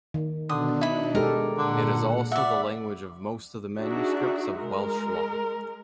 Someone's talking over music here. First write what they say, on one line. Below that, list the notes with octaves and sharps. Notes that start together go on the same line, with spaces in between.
It is also the language of most of the manuscripts of Welsh law.
D#3
B2 D3 D4 D#6
D#4 E4 B5
G#3 G4 A4 A#4
A#2 D3 F#5
D5 E5 F#5 B5
D4 D#4 F#4 G#4 E5
G#3 A#4